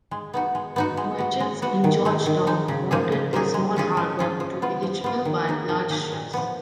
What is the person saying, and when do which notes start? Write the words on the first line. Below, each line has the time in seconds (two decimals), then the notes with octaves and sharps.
Merchants in Georgetown wanted their small harbor to be reachable by large ships.
0.11 G#3
0.34 B3 D#4 F#4
0.55 G#3
0.76 B3 D#4 F#4
0.97 G#3
1.18 B3 F#4
1.40 G#3
1.62 B3 F#4
1.84 D#3
2.05 G#3 D#4
2.26 D#3
2.47 G#3 D#4
2.68 C#3
2.91 F3 A#3 D#4 G#4
3.12 C#3
3.33 F3 A#3 D#4 G#4
3.54 G#3
3.76 C#4 F4 G#4
3.97 G#3
4.19 C#4 F4 G#4
4.40 F3
4.62 B3 F4
4.83 F3
5.04 B3 F4
5.25 D#3
5.47 A#3 D#4 G#4
5.69 D#3
5.90 A#3 D#4 G#4
6.12 A#2
6.33 F3 B3